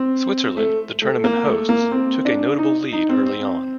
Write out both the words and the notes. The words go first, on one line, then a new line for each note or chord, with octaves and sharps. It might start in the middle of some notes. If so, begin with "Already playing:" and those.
Switzerland, the tournament hosts, took a notable lead early on.
Already playing: C4
A3
A3
A#3
A3
A#3
C4
D4
D#4
D#4
C4
C4